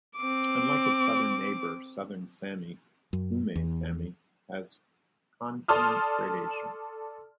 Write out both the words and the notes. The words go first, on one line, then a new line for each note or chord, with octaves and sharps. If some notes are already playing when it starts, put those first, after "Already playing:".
Unlike its southern neighbor Southern Sami, Ume Sami has consonant gradation.
C4 D6
F#2
E2
A4 D5 A5 C6 D#6 F6